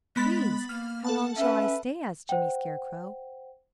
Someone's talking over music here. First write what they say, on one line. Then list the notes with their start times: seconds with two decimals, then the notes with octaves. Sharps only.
"Please, how long shall I stay?" asked Jimmy Scarecrow.
0.16 G#3 B3 B5 A6
0.69 A#3 F6
1.04 A4 F#5 A5
1.37 C#4 B4 E5
2.29 C5 F#5 G5